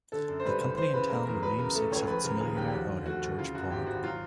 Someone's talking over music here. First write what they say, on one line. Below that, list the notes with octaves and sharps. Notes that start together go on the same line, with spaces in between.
The company and town were namesakes of its millionaire owner, George Pullman.
D3 A4
F#2
C5
G3 B4
F#1
E3 C5
C#3 B4
A3 A#4
E2 A#4
F#3 B4
C#3 A#4
A3 A4
C#2 C#5
F3 B4
C#3 A#4
D#2 G#4
D#2 G4
G4
F3 F#4
D3
A3 F#4
D2
C#3 F4
F#2 F#4
G#1 G4
G#1 F#4
F#3 F4